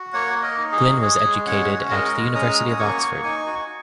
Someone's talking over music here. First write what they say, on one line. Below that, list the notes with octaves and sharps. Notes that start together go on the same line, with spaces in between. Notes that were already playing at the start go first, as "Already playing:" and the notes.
Glynne was educated at the University of Oxford.
Already playing: F#4
A#3 C#5 F#5
A#3
A#4 D#5
D#4
G#4
F#4
G#3 G#4 C#5
G#3
C#4 C#5 F#5
F#4
G#3 A#4 D#5
G#3
C#4 A#5 D#6
F#4
D#6
A#3 G#5 C#6
A#3
D#4 G#5 C#6
F#4